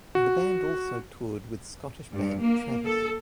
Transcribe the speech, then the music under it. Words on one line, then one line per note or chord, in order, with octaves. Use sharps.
The band also toured with Scottish band Travis.
F#4
G2
A#3
A4